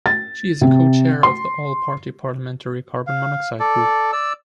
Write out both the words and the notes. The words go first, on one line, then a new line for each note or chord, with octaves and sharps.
She is a co-Chair of the All-Party Parliamentary Carbon Monoxide Group.
A6
C3
C6
F5
A4 D5
D5 E6